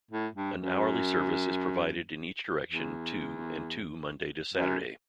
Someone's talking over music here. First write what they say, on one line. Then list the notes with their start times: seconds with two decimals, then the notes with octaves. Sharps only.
An hourly service is provided in each direction to and to Monday to Saturday.
0.11 A2
0.35 G2
0.58 F#2
2.69 E2
4.54 F#2